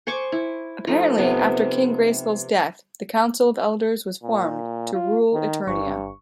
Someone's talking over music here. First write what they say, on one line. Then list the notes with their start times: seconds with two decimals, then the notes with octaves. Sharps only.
Apparently, after King Grayskulls' death, the Council of Elders was formed to rule Eternia.
0.07 C5 G#5 C#6 D6
0.32 E4
0.87 F3 A3 D#4
1.18 C3 F3 B3
4.23 A#2
4.94 F4
5.34 D#3
5.67 G1 G2 C#6